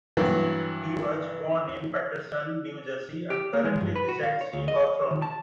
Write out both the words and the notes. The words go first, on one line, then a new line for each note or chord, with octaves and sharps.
He was born in Paterson, New Jersey, and currently resides in Hawthorne.
G2 E3 F#3 B3
G4
A#3
G#3
G2
B4
F#4
F5
C#5
D2
D#5
D#3
A5